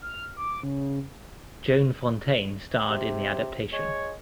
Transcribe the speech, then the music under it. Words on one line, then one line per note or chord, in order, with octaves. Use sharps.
Joan Fontaine starred in the adaptation.
F6
D6
C#3
C3
G#3 C#5